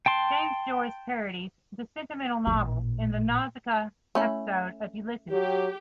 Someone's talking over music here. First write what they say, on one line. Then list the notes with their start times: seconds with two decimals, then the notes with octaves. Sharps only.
James Joyce parodies the sentimental novel in the "Nausicaa" episode of "Ulysses".
0.06 G5 A5 C6
2.47 A1 A#2
4.15 A3 C#4 E4
5.32 F#3 G4